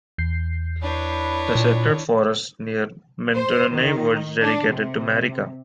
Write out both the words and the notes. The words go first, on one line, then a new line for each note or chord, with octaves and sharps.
The sacred forest near Minturnae was dedicated to Marica.
E2 G6 C7
D4 E4 B4 C#5
A#2
C5
D#3
D4
C3